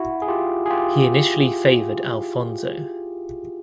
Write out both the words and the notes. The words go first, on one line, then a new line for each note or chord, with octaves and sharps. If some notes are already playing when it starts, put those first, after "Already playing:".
He initially favoured Alfonso.
Already playing: E4 F#4
G#4
F4 G4
G#4
F4 G4